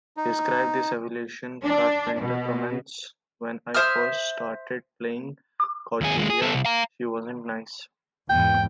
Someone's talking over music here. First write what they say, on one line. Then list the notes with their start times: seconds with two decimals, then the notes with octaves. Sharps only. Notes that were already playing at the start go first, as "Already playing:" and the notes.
Describing this evolution, Carpenter comments, When I first started playing Cordelia, she wasn't nice.
0.17 D#4
1.65 D4
2.21 B2
3.74 C5 E5 D#6 F6
6.01 D#2 G#4
6.17 D#2 G#3
6.30 G#4
6.42 B3 A4
6.53 C2
6.65 F5 A#5
8.30 E2 G#2 G5